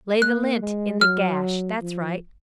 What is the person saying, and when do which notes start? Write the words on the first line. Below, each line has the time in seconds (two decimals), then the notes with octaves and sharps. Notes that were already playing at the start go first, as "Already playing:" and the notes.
Lay the lint in the gash. That's right.
0.22 A#3 F#6
0.62 G#3
1.01 F#3 F6
1.81 F3